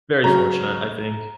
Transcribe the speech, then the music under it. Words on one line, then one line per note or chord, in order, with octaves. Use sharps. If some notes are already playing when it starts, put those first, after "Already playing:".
very fortunate, I think.
C#3 F#3 A#5